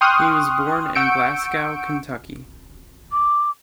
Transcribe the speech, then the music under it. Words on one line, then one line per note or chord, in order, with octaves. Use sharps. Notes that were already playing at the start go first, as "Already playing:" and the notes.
He was born in Glasgow, Kentucky.
G5 C6 C#6 D#6 F6 F#6
F#5 C#6 E6 G6 C#7 D7
D6